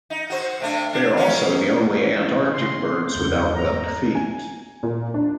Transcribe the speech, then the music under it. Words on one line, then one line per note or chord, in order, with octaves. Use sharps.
They are also the only Antarctic birds without webbed feet.
D#4
F#4 C5
C3 A3 D4
D4
F3 A#3 C#4
E3
A2 C#3 B3 C6
F#1 E2 G#2 G6
A#5
G#5
A#2
D4